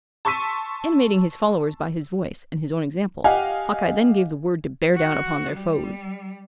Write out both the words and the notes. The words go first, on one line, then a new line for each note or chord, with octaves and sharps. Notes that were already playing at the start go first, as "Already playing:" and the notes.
Animating his followers by his voice, and his own example, Hawkeye then gave the word to bear down upon their foes.
A5 C6 C#6 E6 B6 D#7
G4 D#5 F5 F#5 G#5
F#4
G3